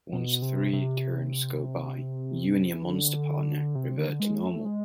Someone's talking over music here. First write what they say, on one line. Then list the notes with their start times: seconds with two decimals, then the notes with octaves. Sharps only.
Once three turns go by, you and your monster partner revert to normal.
0.13 B2
0.42 C3
0.73 C3
2.76 E3
2.84 D3
3.75 C3
3.98 D3
4.20 G#3
4.43 A3
4.65 G#3